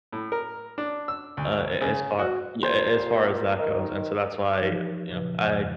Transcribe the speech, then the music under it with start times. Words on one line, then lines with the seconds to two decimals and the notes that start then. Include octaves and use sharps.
uh, a as far yeah, as far as that goes, and so that's why, you know, I
0.13 A2
0.32 A#4
0.78 D4
1.08 E6
1.37 D2
1.81 C#3
2.19 F#4
2.63 C2 A#2 C5
3.59 D#3 D#4 A#4
4.61 E3 F3 D#4 G4
5.11 A#2 C#3 F3 B4
5.42 F2 D5 G#5
5.58 C#3 E3 F5